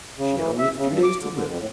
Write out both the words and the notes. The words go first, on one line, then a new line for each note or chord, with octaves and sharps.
She had only a few days to live.
C#3
E3
E5
C#3
G2
D6
D3
D3
F2
A2